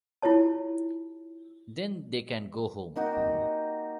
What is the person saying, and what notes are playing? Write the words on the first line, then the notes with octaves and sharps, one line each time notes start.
Then they can go home.
E4 F4 G4 C#5 A5
A#3 D#4 F#4 G4